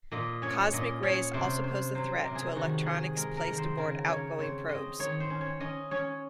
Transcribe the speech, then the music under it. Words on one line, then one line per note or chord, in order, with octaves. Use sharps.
Cosmic rays also pose a threat to electronics placed aboard outgoing probes.
A#2 D#5
C#4 C#5
A#2 D#5
C#4 C#5
C3 C5
C#4 C5
F#3 C5
A#4
C3
G#4
D#3 F#4
D#3 G#4
G#3 A#4
A#4
D#3
C5
C#3 A#4
C#3 C#5
C4 C#5
C4 D#5
D#3 C#5
C5
C#4
C#5
C#4 D#5
C#4 C#5